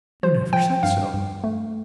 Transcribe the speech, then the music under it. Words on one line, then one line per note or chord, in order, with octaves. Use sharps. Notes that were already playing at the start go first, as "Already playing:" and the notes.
"You never said so."
F3 C5
F3 G5
G2 F5
G2
A3